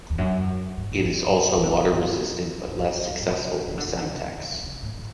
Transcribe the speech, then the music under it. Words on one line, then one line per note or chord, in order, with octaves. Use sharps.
It is also water resistant, but less successfully than Semtex.
E2
F#2
G2
A2
E3
E3
D3
C#3
G2
G2
F#2
E2
F#2
A2
B2
C#3
C#3
D3
C#3
D3
C#3
C#3
E3
D3
C#3
A2
A2